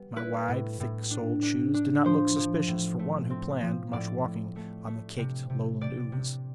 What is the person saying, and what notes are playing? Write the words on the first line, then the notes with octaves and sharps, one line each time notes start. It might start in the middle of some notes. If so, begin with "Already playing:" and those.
My wide, thick-soled shoes did not look suspicious for one who planned much walking on the caked Lowland ooze.
Already playing: G3 B3
E4 B4
A2
A2
D4
D4
D4
F3 C5
F3
A2
A3
C4
F3
A2 D5
A2
A3
A3
C3
C3
C3 D5
C3